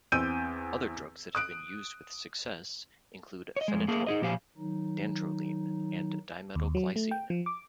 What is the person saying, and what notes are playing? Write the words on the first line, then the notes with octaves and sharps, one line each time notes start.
Other drugs that have been used with success include phenytoin, dantrolene, and dimetyl glycine.
E2 C4 E6 G6 D7 D#7
D#6 F#6 D7
C#5 D#5
F2 G#3
A3 A#3 G#4 A#4 A5
D#4 G#4 D#5
A#2 F3 G4 C5 F5 G#5
D#3 F#3 D#4
D#2
F#3
A3
G5
F3
D6